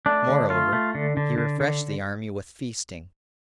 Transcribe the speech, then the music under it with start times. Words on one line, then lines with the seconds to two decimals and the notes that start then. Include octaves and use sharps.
Moreover, he refreshed the army with feasting.
0.06 A3 D4
0.28 D3
0.49 A3 F4
0.73 A3
0.95 D3
1.17 D3
1.38 D3
1.60 D3